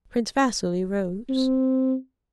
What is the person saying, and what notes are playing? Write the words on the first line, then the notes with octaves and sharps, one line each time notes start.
Prince Vasili rose.
C4